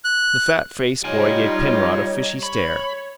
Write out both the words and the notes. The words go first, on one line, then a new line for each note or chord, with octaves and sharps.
The fat-faced boy gave Penrod a fishy stare.
F#6
G3 D#4 F4 C#5 D#5 G#5
C#5 B5